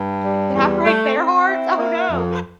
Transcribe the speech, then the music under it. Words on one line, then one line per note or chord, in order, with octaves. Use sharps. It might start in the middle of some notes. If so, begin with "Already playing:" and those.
"Did I break their hearts? Oh, no."
Already playing: G2
G3
E2
A3
C4
E4
A#3
F2